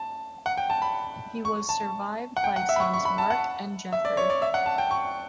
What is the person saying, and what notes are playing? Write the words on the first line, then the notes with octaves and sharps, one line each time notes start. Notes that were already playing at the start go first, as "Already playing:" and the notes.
He was survived by sons Marc and Jeffrey.
Already playing: A5
F#5
G5
A5
B5
C#6
A5
F#5
G5
F#5
E5
B5
C#6
C#6
B5
A5
F#5
E5
D5
C#5
D5
E5
F#5
A5
G5
C#6